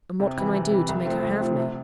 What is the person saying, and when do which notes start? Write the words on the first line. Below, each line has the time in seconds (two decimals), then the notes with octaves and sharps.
And what can I do to make her have me?
0.20 C3
0.37 E3 G3
0.54 C3
0.71 E3 G3
0.89 C2
1.05 C3 F3 A3 C4
1.23 C2
1.40 C3 F3 A3 C4
1.57 C3